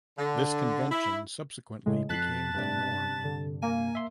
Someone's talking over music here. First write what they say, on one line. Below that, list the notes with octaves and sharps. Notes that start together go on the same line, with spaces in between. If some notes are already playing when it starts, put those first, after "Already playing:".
This convention subsequently became the norm.
D3
E4
A2 C#3 G#3
F2 A5 F#6 B6 C7
G2 C3 D4
D3
A#3 G#5
E5 C6